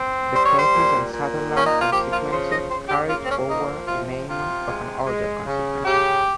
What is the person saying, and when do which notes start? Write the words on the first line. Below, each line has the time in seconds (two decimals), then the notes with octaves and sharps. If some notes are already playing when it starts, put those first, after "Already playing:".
The Caithness and Sutherland constituency carried forward the name of an older constituency.
Already playing: C4
0.33 G3 C5
0.45 C#5
0.58 C5
0.72 A#2
1.11 A#2
1.51 A#3 C#4
1.65 D#4
1.78 F4
1.90 F3 G4
2.10 F4
2.29 C#3 C5
2.49 D#5
2.69 C#3 C5
2.89 G4
3.08 A#3 F4
3.22 C4
3.28 C#4
3.48 F3 D#4
3.87 C3 F4
4.27 C3 F4
4.67 G#3
5.06 G#3
5.46 C#3
5.85 C#3 G4